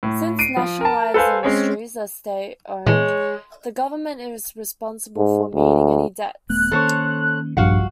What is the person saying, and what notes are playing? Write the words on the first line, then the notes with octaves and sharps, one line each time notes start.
Since nationalized industries are state owned, the government is responsible for meeting any debts.
A2
C7 D7 D#7
F3
A#4 A5
A4 B4 C5 F5 G#5
G#3 C4 C#4 G#4 C#5
A#2 E3 G#3 C#5
G#2
D2
D#1 A3 B3 F#6
D#3 A#3 C#4 A4 C5 C#5
F1 A#1 G2 F3 G3 F#4 F5 F#5